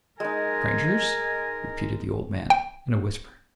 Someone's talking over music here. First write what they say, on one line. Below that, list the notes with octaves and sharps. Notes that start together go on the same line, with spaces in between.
'Strangers!' repeated the old man in a whisper.
G#3 D#4 A#4 G#5
G5